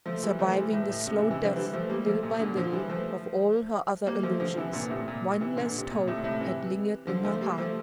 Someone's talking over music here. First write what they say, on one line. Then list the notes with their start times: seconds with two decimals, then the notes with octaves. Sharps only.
Surviving the slow death little by little of all her other illusions, one last hope had lingered in her heart.
0.06 F3 A3
0.23 E3 G3
0.39 F3 A3
0.56 E3 G3
0.73 A2
0.89 A2
1.06 A2 C3
1.18 C3 E3
1.31 C3 E3
1.43 D3 F3
1.56 E3 G3
1.73 F3 A3
1.90 G3 A#3
2.06 F3 A3
2.23 A#2
2.40 A#2 D3
2.56 D3 F3
2.73 E3 G3
2.89 F3 A3
4.07 G3 A#3
4.23 F3 A3
4.40 D3 F3
4.57 C3 E3
4.73 A#2 D3
4.90 A2 C3
5.08 A#2
5.40 C3 E3
5.57 A#2 D3
5.78 C3
5.91 A#2
6.08 A2 C3
6.24 A2 C3
6.40 C3 E3
7.07 D3 F3
7.24 F3 A3
7.41 G3 A#3
7.58 F3 A3